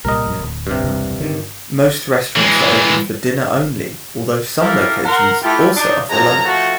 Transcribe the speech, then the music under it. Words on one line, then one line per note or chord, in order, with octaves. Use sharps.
Most restaurants are open for dinner only, although some locations also offer lunch.
C2 A#2 G3 A#4 D#5
D#1 F#2
D1
G2 C3
E1 C2
D3 D#3
E3 G#3
E4 F4 G4 A4 A#4
A#4 F#5 C6
A3 E4 F4 G4
D4 D#4
F#2 F3 G#3 A5 A#5
F3 A3 F#4